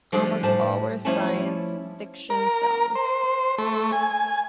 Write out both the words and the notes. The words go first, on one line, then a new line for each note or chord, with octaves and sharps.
Almost all were science fiction films.
D3 F3 G3 G#3 B3 D4
A2 G3 C5 A5
F3 G3 A3 C#4 E4 A5
A#4
C5
A3
G#5